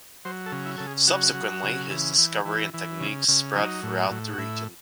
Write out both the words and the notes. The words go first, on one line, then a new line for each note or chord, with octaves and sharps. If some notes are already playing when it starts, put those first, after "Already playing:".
Subsequently, his discovery and techniques spread throughout the region.
F#3 C5
A4
C#3
E4
C#3 A4
G#4
F#3 F#4
F#3
C#3
E3
E3
E3
E3
C#3
C#3
F#3 D#4
A2
A2
F#4
A2 E4